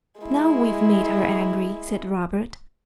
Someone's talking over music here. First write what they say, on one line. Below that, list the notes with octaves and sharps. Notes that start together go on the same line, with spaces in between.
"Now we've made her angry," said Robert.
G#3 E4